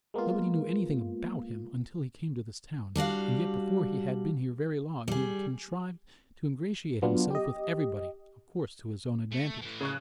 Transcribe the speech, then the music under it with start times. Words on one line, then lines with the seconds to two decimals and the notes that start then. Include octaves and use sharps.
Nobody knew anything about him until he came to this town, and yet before he had been here very long he had contrived to ingratiate himself with everybody--of course, to his own advantage.
0.14 G#3 A#3 B3 F4
2.96 G3 D4 F#4 F5
5.08 G3 G#4
7.02 F#3 B3 D4 F4
7.31 G4 D#5
9.32 A3
9.62 A2 E3
9.81 C#3 C#6 F#6